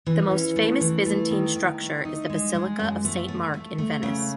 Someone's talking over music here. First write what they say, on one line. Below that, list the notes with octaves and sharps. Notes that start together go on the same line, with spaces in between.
The most famous Byzantine structure is the Basilica of Saint Mark in Venice.
E3
C#4
A3
E3
A3
D#3
D#3
A3
D#4
G#3
G#3
F#2
A3
A3
A3
A3
C#3